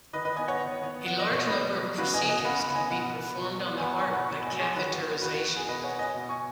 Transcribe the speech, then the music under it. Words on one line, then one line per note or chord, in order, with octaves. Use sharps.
A large number of procedures can be performed on the heart by catheterization.
D#3 B4 D#5
B4 D#5
B3 D#5 G#5
C#5 F#5
D#3
B3
B3 F#5
D#5
B2 C#5
B2 B4 D#5
F#3
C#3 F#4 B4
D#5 G#5
B3
D#5 G#5
C#3 F#5 B5
F#5 B5
B3
D#5 G#5
B2 F#5 B5
B3
B2
B3
G#5
B3 F#5 B5
G#5 C#6
B2
F#5 B5
C#6
B2 F#5 B5
D#5 G#5
F#3
G#4 C#5
D#3 F#4 B4
F#4
B3
D#3 F#4 B4
F#4
B3
G#4
B2 B4 D#5
G#5
C#5 F#5
B3
D#5 G#5
B2
G#5 C#6